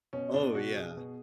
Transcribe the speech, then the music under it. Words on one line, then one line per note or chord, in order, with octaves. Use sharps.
Oh, yeah.
B2 C#4
B2 D4
B2 F#4
B2 G#4
B2